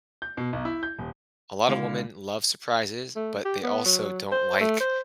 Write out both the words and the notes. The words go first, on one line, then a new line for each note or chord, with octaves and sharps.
a lot of women love surprises, but they also don't like,
G6
B2
B1
E4
G6
D#1
C#2 D3 E4 F5
A3
G4
B3
F#3
C5
A3
C5